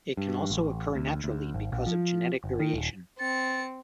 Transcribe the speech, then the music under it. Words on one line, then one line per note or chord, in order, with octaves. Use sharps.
It can also occur naturally because of genetic variation.
G2
A1
D2
D2
G#1
A#1
F3
G1
D#3
D#1
C4 A6 C#7